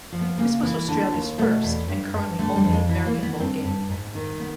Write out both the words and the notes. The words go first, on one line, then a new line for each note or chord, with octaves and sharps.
This was Australia's first, and currently only, American Bowl game.
F3
B3
C#3 A#3
E3
D3
D#2
B2 A3
E2
G2
G2
D3 A3
G3
F2
G#3
E3
A#3
E3
B3
G2 C4
G2
G#2
D#3
B3